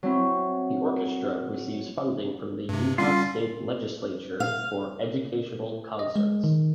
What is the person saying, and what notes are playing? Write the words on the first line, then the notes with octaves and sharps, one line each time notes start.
The orchestra receives funding from the Utah State Legislature for educational concerts.
F#3 C4 E4
G2 C3
G3 C#4 F4
F5
D#5
G#3
D#3